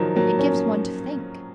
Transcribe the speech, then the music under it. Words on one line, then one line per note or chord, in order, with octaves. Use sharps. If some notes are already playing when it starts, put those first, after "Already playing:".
It gives one to think.
Already playing: D#3 F3 F#3
F#3 A#3
A#3 C#4